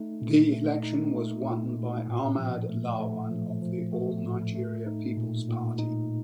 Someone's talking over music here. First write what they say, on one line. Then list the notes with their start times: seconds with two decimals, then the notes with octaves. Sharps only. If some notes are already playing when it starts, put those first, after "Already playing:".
The election was won by Ahmad Lawan of the All Nigeria Peoples Party.
Already playing: A3 D#4
0.22 A#2
0.52 A3
0.83 D#4
1.14 A3
1.46 A#2
1.77 A#2
2.08 A2
2.38 F3
2.69 A3
3.00 A3
3.31 F3
3.62 F3
3.93 A3
4.24 A2
4.55 A3
4.86 D#4
5.17 A#2
5.48 A#2
5.79 D#4